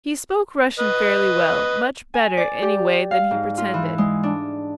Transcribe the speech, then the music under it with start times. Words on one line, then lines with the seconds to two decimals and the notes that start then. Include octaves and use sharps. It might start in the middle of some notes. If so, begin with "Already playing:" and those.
He spoke Russian fairly well, much better, anyway, than he pretended.
0.79 B4 D#5
2.14 G#5
2.37 D5
2.62 G4
3.11 F5
3.31 G#2
3.58 F4
3.74 E3
3.98 G#3
4.23 D4